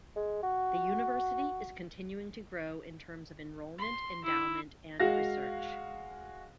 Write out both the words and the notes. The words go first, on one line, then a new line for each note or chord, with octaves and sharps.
The university is continuing to grow in terms of enrollment, endowment, and research.
G#3
F#4
C6
E4
G#3 F#4 F5 A#6